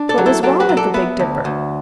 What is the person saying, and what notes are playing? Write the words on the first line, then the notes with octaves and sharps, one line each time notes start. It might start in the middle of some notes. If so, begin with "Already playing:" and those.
What was wrong at the Big Dipper?
Already playing: D4
A4 D5
F#3
E4 A4
F#3 A4 D5
F#4 B4
F#3
A4 D5
B3 B4 E5
D2
D2